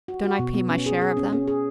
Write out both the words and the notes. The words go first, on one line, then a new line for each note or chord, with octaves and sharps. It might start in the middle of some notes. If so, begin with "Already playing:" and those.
"Don't I pay my share of them?"
F#4
F#4
B2
B3
C#4
G#4
G#4
C#4
C#4
G#4